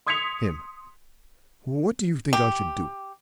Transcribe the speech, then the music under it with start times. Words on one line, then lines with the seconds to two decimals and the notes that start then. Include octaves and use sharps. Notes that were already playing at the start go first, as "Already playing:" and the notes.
HIM: What do you think I should do?
0.07 C6 D#6 G#6 B6 C#7 F7
2.33 G4